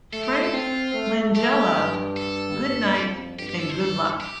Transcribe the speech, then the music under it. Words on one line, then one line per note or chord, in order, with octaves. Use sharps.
Frank Langella - Good Night, and Good Luck.
A3 A4
G4
C5
A4
C4 F4
A3
A3 G4
G2
A4
G2
F2
G2 G4
G4
A4
C5
G2 A4
G4